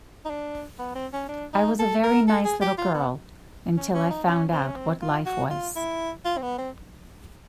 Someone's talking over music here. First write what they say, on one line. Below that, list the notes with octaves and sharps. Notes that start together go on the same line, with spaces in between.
I was a very nice little girl, until I found out what life was.
D#4
D4
B3
C4
C#4
D4
D#4
A4
A#4
A4
G#4
G4
F4
B3
C#4
C#4
D#4
C#4
C4
C#4
C4
F4
F#4
F4
E4
F4
C4
B3
C4